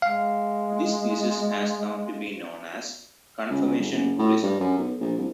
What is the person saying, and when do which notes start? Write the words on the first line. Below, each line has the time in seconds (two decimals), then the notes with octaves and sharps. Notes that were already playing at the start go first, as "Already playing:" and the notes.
This thesis has come to be known as confirmation holism.
0.02 G#3 F5
3.50 C#2
3.62 C#2
3.78 G1
3.92 F#1
4.18 A2
4.43 G2
4.60 F#2
4.78 B1
5.00 A#1
5.18 C2